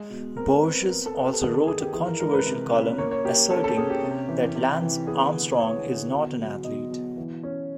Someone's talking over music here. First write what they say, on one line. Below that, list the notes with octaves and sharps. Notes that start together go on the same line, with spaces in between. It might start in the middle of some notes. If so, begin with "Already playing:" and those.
Borges also wrote a controversial column asserting that Lance Armstrong is not an athlete.
Already playing: G#3
B2
C4 A#4
C4 B4
B3 A#4
A4
B3
G4
A4
D#3 G#4
A4
D#3 G#4
G4
E3 G#4
A#4
G#3 A#4
B4
C3
C#4
A#3 C#5
C#5
A#3 G4
C#4 A4
A4
C#4 G#4
G4
C3
E3
C3
E3
B3 G#4
D3
D3 C#5
D3
B2
F#3
B2 D#5
B2
E3
C#4